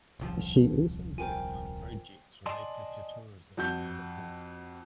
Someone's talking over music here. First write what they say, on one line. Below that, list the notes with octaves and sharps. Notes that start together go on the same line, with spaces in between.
She also worked on projects related to tourism and the Port.
D#1 C2 F3
F4 A#4 C5 G5 G#5
D5 D#5 G#5 A5 C6
F2 F#4 G6